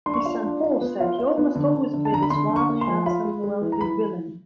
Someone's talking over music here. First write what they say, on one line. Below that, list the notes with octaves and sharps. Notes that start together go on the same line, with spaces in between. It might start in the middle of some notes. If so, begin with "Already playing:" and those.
His son Paul said he almost always played a suave, handsome, wealthy villain.
D4 C6
C#6
F4 C6
D4
F4
B3
F4
F4
B3
D3
D3
D3
A5
D3 A#5
B5
D3 C6
D3
C#6
A#3
C6
F3
F4 B5
G#3
G#3
E3
A#5
E3 B5